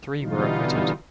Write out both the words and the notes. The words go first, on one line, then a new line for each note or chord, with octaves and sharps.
Three were acquitted.
B2 D3 E3 G3 D#4 F4